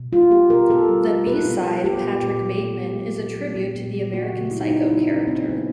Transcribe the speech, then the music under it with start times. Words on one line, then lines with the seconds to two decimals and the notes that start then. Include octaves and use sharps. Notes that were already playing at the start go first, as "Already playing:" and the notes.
The B-side, "Patrick Bateman", is a "tribute" to the "American Psycho" character.
Already playing: B2
0.12 G3 F4
0.31 B3 G4
0.50 B2 A#4
0.69 B2 A4
0.89 G3
1.07 B3
1.26 B2 B4
1.46 B2
1.65 G3
1.84 B3 G4
2.03 A#2
2.22 A#2
2.42 F#3
2.61 B3
2.79 A#2
2.99 A#2
3.18 F#3
3.37 B3
3.55 A#2 G4
3.75 A#2
3.94 F#3
4.13 A#3 F#4
4.32 C#3
4.51 C#3 E4
4.60 D#4
4.70 F#3 E4
4.89 A#3 D#4
5.08 C#3 C#4
5.27 C#3 C4
5.35 B3
5.47 F#3 B3